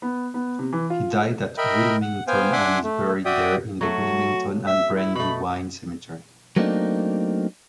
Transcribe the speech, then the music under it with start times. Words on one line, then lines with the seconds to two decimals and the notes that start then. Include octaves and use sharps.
He died at Wilmington and is buried there in the Wilmington and Brandywine Cemetery.
0.02 B3
0.34 B3
0.59 C3
0.73 E3
0.90 F4
1.58 A#4 D#5 E5 G5 B5
2.02 F#5
2.28 B3 C5 F5 G5 G#5
2.52 D4 E5 F#5 G#5 C6 D6
2.83 A3
3.25 F#4 D5 E5 G5 D#6
3.81 F#3 A3 F#4
4.67 E5
4.93 E4
5.15 B2 A3 B5
6.56 F#3 A3 A#3 C4 D4 D#4